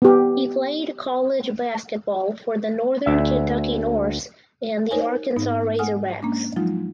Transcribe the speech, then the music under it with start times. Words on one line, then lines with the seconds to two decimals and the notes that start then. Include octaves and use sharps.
He played college basketball for the Northern Kentucky Norse and the Arkansas Razorbacks.
0.02 B3 G4
3.06 D2 E5
4.91 D#4 A#4 C5 C#5 G#5
5.36 G#2 B3 D#4
5.79 F#5 G#5 D#6 F6
6.23 G#3 A#3 C#4 D4
6.56 F3 F#3 G#3 D#4 F4